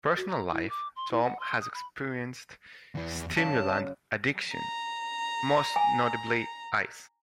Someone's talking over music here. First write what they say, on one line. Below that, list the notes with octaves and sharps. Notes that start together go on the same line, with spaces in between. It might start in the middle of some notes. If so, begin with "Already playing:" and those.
Personal Life: Tom has experienced stimulant addiction, most notably 'Ice'.
F#4
A#5
E4
D6
C6
E4
F#5
C6
D#6
B5
E2 E3
F#2 C#3 D5 A5
A#5
G#5